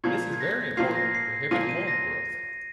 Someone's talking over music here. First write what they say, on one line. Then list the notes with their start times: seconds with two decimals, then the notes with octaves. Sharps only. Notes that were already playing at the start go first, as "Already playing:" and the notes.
This is very important to prohibit mold growth.
0.04 A#2 F3 A#3 F4 G#6
0.34 G#6
0.40 A#6
0.77 A#2 F3 A#3 F4 C7
0.95 A#6
1.15 C7
1.51 A#2 F3 A#3 F4 D#7
1.69 D#7
1.88 A#6